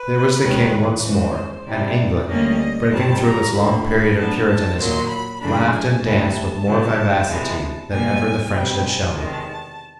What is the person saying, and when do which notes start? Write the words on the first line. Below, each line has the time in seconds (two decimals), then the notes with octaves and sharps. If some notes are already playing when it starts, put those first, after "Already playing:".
There was the king once more; and England, breaking through its long period of Puritanism, laughed and danced with more vivacity than ever the French had shown.
Already playing: B4
0.42 D#2 D#3 G#3 C#4
1.04 C#3 E3 G#3 C#4 C5
1.67 C3 E3 G3 D5
2.29 D2 D3 G3 A#3 C#4 D#5
2.91 G2 D#3 G3 C4 A5
3.23 A#5
3.54 D2 D3 G3 B5
3.85 B5
4.16 A2 F#3 B3 D4 A5
4.48 A5
4.79 A#2 F#3 A#3 C6
5.09 B5
5.41 F#2 C#3 E3 A3 D4 B5
5.72 G#5
6.04 D2 C3 E3 G3 A5
6.66 C#3 F#3 A3
7.28 E2 C3 E3 G#3
7.91 B2 G3 A#3 G#5
8.53 B2 G3 C4 G5
8.84 G#5
9.15 E2 C3 D#3 G#3 A5